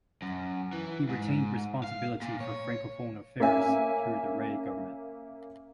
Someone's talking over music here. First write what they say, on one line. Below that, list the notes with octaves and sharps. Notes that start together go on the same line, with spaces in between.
He retained responsibility for Francophone Affairs throughout the Rae government.
F#2
E3
G#2
F5
A#2
C#5
A#3 C#4 E5 G#5